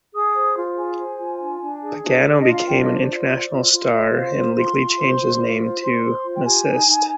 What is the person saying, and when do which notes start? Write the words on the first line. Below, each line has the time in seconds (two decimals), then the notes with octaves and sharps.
Pagano became an international star, and legally changed his name to Maciste.
0.14 G#4 D#6
0.35 C5
0.56 F4
0.76 G#4 G#5
0.99 C5
1.19 F4
1.40 D4
1.61 D4
1.82 G#4
2.03 D4
2.24 D4 D5
2.39 D#5
2.45 F4
2.53 F5
2.67 D4 G5
2.82 D#5
2.88 C5
2.98 D5
3.08 F4
3.13 D5
3.29 C5
3.50 F4
3.72 F4
3.85 D5
3.93 F4 D#5
4.13 C5 F5
4.35 F4
4.55 F4 C6
4.77 F4
4.98 C5
5.18 F4
5.39 F4
5.61 C5
5.82 C5 C6
6.03 C5
6.24 F4
6.35 G5
6.45 G4 G#5
6.66 D#4
6.86 D#4